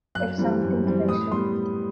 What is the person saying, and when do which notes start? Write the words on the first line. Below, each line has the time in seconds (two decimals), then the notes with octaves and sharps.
It's something special.
0.15 F#2 F#6
0.38 E3 G3 C4
0.62 F#2
0.86 E3 G3 C4
1.09 A2 D#6
1.32 G3 B3 C6